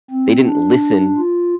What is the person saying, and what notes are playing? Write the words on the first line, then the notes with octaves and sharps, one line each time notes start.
they didn't listen
C4
D4
F4